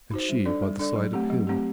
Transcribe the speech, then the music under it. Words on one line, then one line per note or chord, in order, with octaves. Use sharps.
And she by the side of him!
D#4 F#4 C5
G3
D4 A4 D5
G3
D4 A4 D5
F#3
A3 C4 G4
F#3
A3 C4 G4